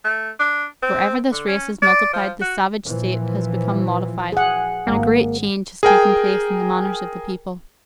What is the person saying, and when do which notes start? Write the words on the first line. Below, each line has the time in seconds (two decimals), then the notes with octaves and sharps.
Wherever this race has multiplied the savage state has become modified, and a great change has taken place in the manners of the people.
0.04 A3
0.39 D4
0.82 C4
1.32 D3
1.48 C#4
1.82 D5
2.13 F3
2.41 F#4
2.85 A#2 E3 F3
4.32 G#4 F#5
4.87 G#1 A#3
5.83 G#4 A#4 G5 G#5